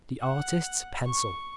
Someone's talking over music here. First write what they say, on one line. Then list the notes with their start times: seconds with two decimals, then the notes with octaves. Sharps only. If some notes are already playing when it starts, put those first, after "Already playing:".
The artist's pencil!
0.20 F#5
1.05 C#6